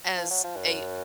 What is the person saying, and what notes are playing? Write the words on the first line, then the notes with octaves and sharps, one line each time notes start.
as a
F3
F#3
F3
F#2